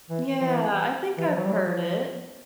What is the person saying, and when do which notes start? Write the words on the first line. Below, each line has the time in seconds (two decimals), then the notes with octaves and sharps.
Yeah, I think I've heard it.
0.10 E3
0.41 F3
0.46 E3
1.18 E3
1.28 F3
1.36 F#3
1.45 G3
1.54 F#3
1.66 F3
1.78 F3
1.90 F3